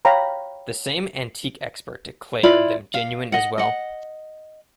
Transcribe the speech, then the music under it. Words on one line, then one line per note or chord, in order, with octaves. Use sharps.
The same antique expert declared them genuine as well.
C#5 F5 G5 A#5 B5
E4 F4 D5 B5
F5
D#5 F#5
D#5 F#5